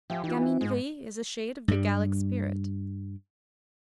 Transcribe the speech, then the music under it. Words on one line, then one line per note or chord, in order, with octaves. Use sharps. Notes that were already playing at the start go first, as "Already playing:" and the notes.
Gaminerie is a shade of the Gallic spirit.
F3 G4 E5 F5 G#5
E3 D#4 F4
G#2 G#3
G2 G3